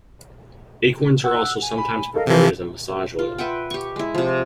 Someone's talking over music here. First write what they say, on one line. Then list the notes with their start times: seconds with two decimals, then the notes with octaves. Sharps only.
Acorns are also sometimes prepared as a massage oil.
1.24 F#5 E6 F#6
1.62 G#5
1.78 B5
2.14 A4 A#4 D#5 F5
2.27 C3 E3 F3 A#4
3.19 F4
3.38 B4 E5 F#5 G5
3.71 G4 C#6
3.96 G#3 E4
4.15 C3 F3